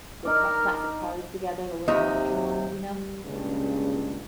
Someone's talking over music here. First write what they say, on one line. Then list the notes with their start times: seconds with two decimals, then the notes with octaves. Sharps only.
the ca classic cars together, the little miniature ones, you know?
0.25 D#4 A#4 D5 F6
1.88 D#2 C3 D#4 D#5 E5
2.89 G3
3.25 C#2 G2 A#2 C#3